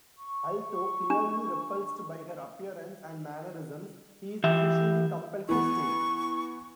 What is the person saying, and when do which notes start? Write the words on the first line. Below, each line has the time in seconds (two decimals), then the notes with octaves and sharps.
Although clearly repulsed by her appearance and mannerisms, he is initially compelled to stay.
0.16 C#6
1.10 D4
4.44 E3 G4 E5
5.49 E3 B3 C#6